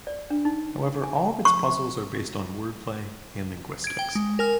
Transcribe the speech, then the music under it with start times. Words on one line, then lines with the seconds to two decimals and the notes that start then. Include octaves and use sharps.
However, all of its puzzles are based on wordplay and linguistics.
0.07 D5
0.30 D4
0.45 D#4
1.04 G#5
1.45 C#6
3.84 G#6 D7
3.99 G5
4.15 G#3
4.39 A#4 G#5 F6